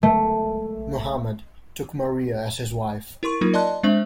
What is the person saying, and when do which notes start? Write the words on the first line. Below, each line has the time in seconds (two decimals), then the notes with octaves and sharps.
Muhammad took Maria as his wife.
0.03 A3
3.23 E4 A#4 C6 C#6
3.41 F#3 A#3 D#4 F4 A#4
3.54 D5 D#5 A5 C6 F#6
3.83 G#3 C4 D4 C5 E5 F#7